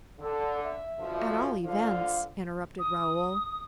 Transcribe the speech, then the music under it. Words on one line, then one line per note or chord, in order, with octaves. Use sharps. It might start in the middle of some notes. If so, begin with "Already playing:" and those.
"At all events--" interrupted Raoul.
D3 A4
E5
B2 D3 F3
D3 F3 F5
D#6